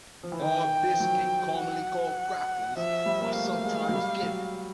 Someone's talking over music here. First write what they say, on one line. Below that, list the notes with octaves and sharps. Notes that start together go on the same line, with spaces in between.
Hard biscuit, commonly called crackers, are sometimes given.
F3
E3
D#3 G5
F3
F#3
F#5
F3 E5
G3
A#3
A3 F5
G#3
F#3
G3
F#3